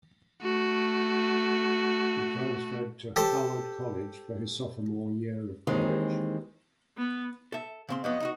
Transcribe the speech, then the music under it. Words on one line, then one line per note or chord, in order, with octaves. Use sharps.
He transferred to Howard College for his sophomore year of college.
A3 F#4
G4 A4 C5
D#2 D#3 E3 G#3 C4
B3
A4 E5
C#3 C4 C6
F2 F#3 B3 D#5
D#4 E4 F#4